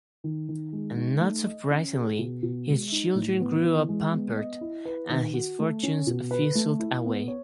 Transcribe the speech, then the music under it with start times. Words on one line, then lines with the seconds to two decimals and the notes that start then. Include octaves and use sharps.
Not surprisingly, his children grew up pampered, and his fortunes fizzled away.
0.24 D#3
0.49 D#3
0.73 G#3
0.97 D#4
1.21 A3
1.45 D#5
1.70 C#4
1.95 G#4
2.19 B2
2.43 B2
2.67 G#3
2.92 D#4
3.15 A2
3.40 B3
3.64 E3
3.89 G#3
4.12 B3
4.36 D#5
4.61 E4
4.85 B4
5.10 D#3
5.34 F#4
5.59 A3
5.83 C#4
6.07 B2
6.31 B4
6.55 A3
6.79 E4
7.05 B3
7.28 C#5